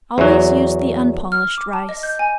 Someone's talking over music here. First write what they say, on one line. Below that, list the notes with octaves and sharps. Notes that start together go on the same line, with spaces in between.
Always use the unpolished rice.
E2 F#3
F6
D6
A5
D#5
G6
G#5